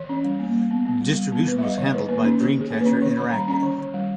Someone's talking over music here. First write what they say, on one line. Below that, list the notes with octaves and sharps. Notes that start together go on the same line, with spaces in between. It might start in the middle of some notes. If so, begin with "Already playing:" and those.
Distribution was handled by Dreamcatcher Interactive.
Already playing: E3 C#5
C#4
G3
A#3
G3
B3
B3
G3
G3
B3
B3 B4
E5
G3 D#5
D#3 D#5
D#3 B4
A#3 B4
C#4 D#4
D#3 G4
D#3
G#4
A#3 C#5
B4
C#4
D#3 C#5
D#3 B5
G3 A#5
C#4 A#5
D#3
D#3
G3